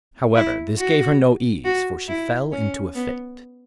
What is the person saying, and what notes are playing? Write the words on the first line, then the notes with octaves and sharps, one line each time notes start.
However, this gave her no ease, for she fell into a fit.
E4
F#4
F#4
E4
C#4
B3